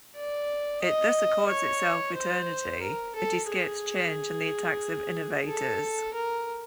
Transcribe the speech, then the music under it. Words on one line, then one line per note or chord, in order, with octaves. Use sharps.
It thus accords itself eternity; it escapes change and the attacks of innovators.
D5
D#5
C#5
C5
A#4
A4
G#4
A4
A#4